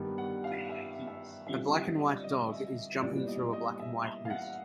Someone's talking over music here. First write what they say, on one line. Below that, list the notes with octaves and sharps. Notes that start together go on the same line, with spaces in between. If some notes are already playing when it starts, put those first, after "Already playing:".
A black and white dog is jumping through a black and white hoop.
Already playing: G2 D#3 G3 B3
F#5
F5
E5
E5
D3 G3 C4 F4 E5
D#5
D5
D#5
E5
A#2 G3 B3 E4 D5
D#5
D#5
E5
F5
F#5